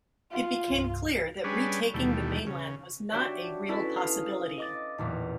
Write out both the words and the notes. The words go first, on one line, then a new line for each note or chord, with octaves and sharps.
It became clear that retaking the mainland was not a real possibility.
F4
C2 G2
G3 C#4 D4 G#4 B4
D#2 B2 E3 G3 A3
C#3
D4 F#4 G4 C#5 D5 E5
C#4 E4 F#4 A4 B4
F5 D#6
D#5 D6 A6
A1 E2 A#2 E3